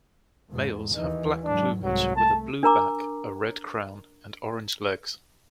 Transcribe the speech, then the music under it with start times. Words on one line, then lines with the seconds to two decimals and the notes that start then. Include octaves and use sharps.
Males have black plumage with a blue back, a red crown and orange legs.
0.50 E2 G#2
0.95 D#2 E3 D#4
1.45 G#2 F#3 D4
1.84 C2 G#2 F#3
2.16 A3 A5
2.63 D4 A#4 A#5 D6